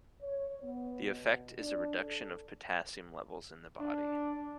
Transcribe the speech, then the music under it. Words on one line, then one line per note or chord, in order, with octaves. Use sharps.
The effect is a reduction of potassium levels in the body.
C#5
B3
B2
D4
A4
D4